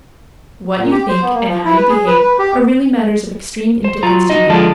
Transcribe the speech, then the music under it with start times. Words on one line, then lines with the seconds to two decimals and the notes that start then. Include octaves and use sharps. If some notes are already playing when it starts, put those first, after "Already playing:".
What you think and how you behave are really matters of extreme indifference to me.
0.78 A#2
0.91 G4
1.09 C5
1.22 B3
1.35 A#3
1.48 F3
1.65 E4
1.77 B4
1.89 G#4
2.06 B4
2.19 B4
2.39 G4
3.84 C5
4.03 F#3 F4 A#5
4.30 D#4 F#4 D#5
4.49 D3 F3 G#3 D4 F4 A4